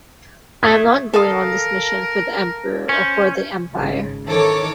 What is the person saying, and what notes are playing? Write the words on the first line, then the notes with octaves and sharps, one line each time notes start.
I am not going on this mission for the Emperor or for the Empire...
A3 D#6 G#6 B6
A4 A#4 F5 D#6
C#4 C5
G#1 C#3
D#3 E3 A4 A#4 C#5 D6